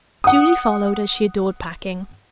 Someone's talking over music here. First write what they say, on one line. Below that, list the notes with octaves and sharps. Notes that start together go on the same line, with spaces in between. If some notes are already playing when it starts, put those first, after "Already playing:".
Julie followed, as she adored packing.
F#5 D#6